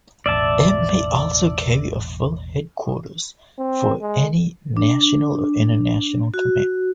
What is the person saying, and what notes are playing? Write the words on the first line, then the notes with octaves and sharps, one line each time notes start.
It may also carry a full headquarters for any national or international command.
E1 A1 D5 E5 A5
C4
G#3
D4
F#4